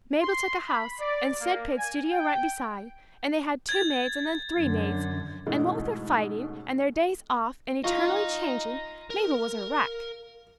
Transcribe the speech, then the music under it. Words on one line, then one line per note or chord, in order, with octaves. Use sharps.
Mabel took a house, and Sid paid studio rent beside, and they had two maids, and then three maids,--and what with their fighting, and their days off, and eternally changing, Mabel was a wreck.
C6
B5
D5
A#3
G#5
G5
G#6 A6
F#2 D3
G#2 B2 E3 G#3 A3 C#4
F4 D#5 A#5 C#6
A#4